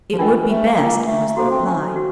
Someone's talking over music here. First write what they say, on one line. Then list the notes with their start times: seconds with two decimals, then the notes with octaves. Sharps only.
"It would be best," was the reply.
0.13 F3
0.18 E3 D4 F4 A#4 D#5 G5
0.47 A3
0.72 A3
0.77 A#3 D4 F4 A#4 D#5 G5
1.06 A3
1.28 A3
1.37 A#3 F#4 A4 C5
1.51 C4
1.66 C#4
1.96 F#4